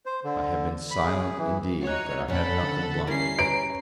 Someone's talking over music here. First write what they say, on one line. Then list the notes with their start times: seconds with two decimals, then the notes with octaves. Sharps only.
I have been silent, indeed, but I have not been blind.
0.06 C5
0.24 D3
0.91 B5
1.05 G#4
1.38 E3
1.83 D#4 F#4 C#5 F#6
2.28 F2 A#2 C#4 A4 F#5 B5
2.63 D3
3.07 G3 C#4 E4 A#4 C7
3.39 B4 C#5 A#5 D7